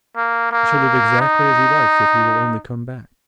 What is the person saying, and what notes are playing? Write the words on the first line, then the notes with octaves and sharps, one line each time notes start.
He shall live exactly as he likes if he will only come back.
A#3
A#3
D#4